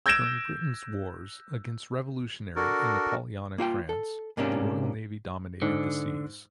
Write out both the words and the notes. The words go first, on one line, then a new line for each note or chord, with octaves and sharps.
During Britain's wars against revolutionary and Napoleonic France, the Royal Navy dominated the seas.
E6 G6 G#6 A#6 D7 E7
D4 F#4 A4 A#4
A#3 F4 F#5 G5
A4
G#2 C3 A#3 C#4 D4
G#2 D3